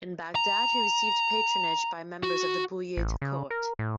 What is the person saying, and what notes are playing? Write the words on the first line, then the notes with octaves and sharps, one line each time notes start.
In Baghdad, he received patronage by members of the Buyid court.
A#5
F#4
A1
C#3
A#4
A2